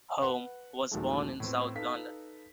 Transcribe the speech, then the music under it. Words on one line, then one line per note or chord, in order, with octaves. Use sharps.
Home was born in South London.
B4 F#5
A#1 D#2 D#3 F#3 G#3 A3
A2 B3 C4
D#4 A4 B4 F5 B6